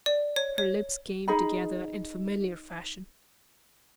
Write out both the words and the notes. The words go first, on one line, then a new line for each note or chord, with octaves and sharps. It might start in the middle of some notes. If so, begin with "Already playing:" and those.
Her lips came together in familiar fashion.
D5
C#5
C#5
D#4 G#4 D#5 B5